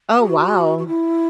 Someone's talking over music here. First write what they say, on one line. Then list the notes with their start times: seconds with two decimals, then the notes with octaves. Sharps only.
Oh, wow.
0.19 F#4
0.78 F#4
0.87 E4